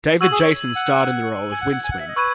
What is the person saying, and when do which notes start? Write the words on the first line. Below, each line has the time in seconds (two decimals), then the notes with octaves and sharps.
David Jason starred in the role of Rincewind.
0.21 F#4 E6 G#6 D#7 F#7
0.32 G#4
0.42 C#5
0.76 F#5
0.86 F#6 C#7 F#7
1.51 G#5 G#6 C#7 F#7
1.62 F#5
1.72 F#5
1.84 G#5
1.91 F#5
2.00 E5
2.08 D#5
2.16 B4 C#6 E6 G#6 D#7